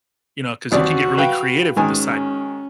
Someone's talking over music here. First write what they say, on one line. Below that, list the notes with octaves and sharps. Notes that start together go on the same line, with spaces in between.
You know, 'cause you can get really creative with the side
D#2 C4 F#4 D5
B4 F5 G5
G#2 D#3 C#4 G#5